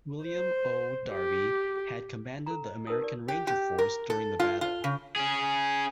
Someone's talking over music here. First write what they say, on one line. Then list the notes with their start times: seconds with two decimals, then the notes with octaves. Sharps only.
William O. Darby had commanded the American Ranger Force during the battle.
0.25 C5
1.12 G4
2.46 A4 A#5
2.65 D#5
2.87 D#4 A#4 B4 A5 D#6
3.01 G4 D5
3.28 G4
3.47 G4
3.78 A#4
4.10 A4
4.40 F4
4.61 F4
4.84 C#3
5.16 C#4 G#4